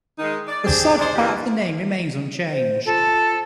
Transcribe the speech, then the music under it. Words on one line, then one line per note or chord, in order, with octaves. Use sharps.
The Sod part of the name remains unchanged.
D#3 G#3 D#4
D5
C4 D4 G4 G#4
G#3 C5 D5
D3 E3 A#3 G4
C5
F4 A4